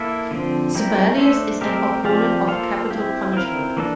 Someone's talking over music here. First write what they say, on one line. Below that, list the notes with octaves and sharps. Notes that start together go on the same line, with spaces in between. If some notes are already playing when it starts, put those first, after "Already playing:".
Sebelius is an opponent of capital punishment.
Already playing: A#3 E4 A4 E5
D3 F3 C4
G3 C4 E4 G4 A#4
A3 D4 A4 C5 E5
A3 C4 G4 A#4
F3 C4 G4 D5 F5
A#3 F4 A4 C5 F5
C4 E4 G4
C4 E4 A#4 F5
E3 A#3 D4 A4